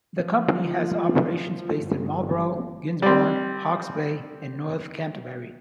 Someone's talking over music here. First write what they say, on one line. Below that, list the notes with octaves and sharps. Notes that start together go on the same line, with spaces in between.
The company has operations based in Marlborough, Gisborne, Hawke's Bay and North Canterbury.
F3
G1
G3 C4